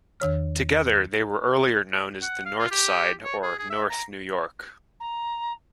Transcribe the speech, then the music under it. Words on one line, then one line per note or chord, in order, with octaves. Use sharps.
Together, they were earlier known as the North Side or North New York.
E2 D#3 C#5 F6
F#5
F5
F4
G4
C#5
G#4
G#4
E5
A#5
A#5